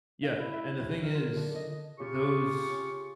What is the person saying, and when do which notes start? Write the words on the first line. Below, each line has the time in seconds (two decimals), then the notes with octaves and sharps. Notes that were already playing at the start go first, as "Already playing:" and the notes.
Yeah. And the thing is, those
0.23 F5
0.39 E4
0.53 E5
0.80 F#3
1.02 A#4
1.15 F4
1.37 D3
1.55 D#5
1.99 C#3 F4 G4 C#6